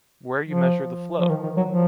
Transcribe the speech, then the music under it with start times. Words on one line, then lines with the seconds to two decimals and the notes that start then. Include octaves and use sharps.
Where you measure the flow.
0.49 F3
1.19 F3
1.30 D#3
1.43 D#3
1.57 F#3
1.70 F3